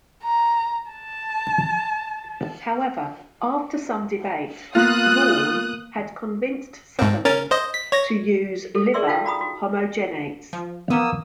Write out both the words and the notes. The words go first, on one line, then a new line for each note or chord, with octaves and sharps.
However, after some debate, Rall had convinced Sutherland to use liver homogenates.
A#5
A5
A#3 B3 F4 F5 D#6 F#6
G#2 C4
C#4 A#4 A6
C5 D#5
B6
C#5 A#6
A4
G#4 A#4 D5 E5 C6 E6
D#4 F4 A4 F5 G5 A5
F#4 A#5 B5 D#6
F#4
F3
A#3 B3 D#6 E6